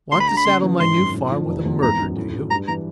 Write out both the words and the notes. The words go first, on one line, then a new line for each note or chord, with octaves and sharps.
Want to saddle my new farm with a murder, do you?
D2 C6
B5
D3 A#5
B5
C#3 C6
E3
G#1 C6
F#2
A2
F3
F1
E2
G#1 A#5
F#2
A2
F#3
G2 A#5
E3 A#5